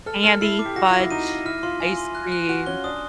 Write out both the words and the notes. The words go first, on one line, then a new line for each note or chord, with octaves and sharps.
candy, fudge, ice cream.
A4 F6
A4 F6
E4 C7
D6
G4
F#4 A#6
F4 A#6
E4
D#4 D#7
A#6
E4 F6
F4 C6
F4 G#5
C6
F#6
F#6
F#4 F#6
C#4 G7
D4 D#6